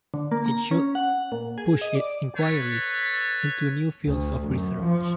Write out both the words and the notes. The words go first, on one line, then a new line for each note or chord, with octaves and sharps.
It should push its inquiries into new fields of research.
D3
A#3
A#5
C#4
F#5
A#2
G#4
D#5
D5
A4 B4 C#5
D2
F#2
F3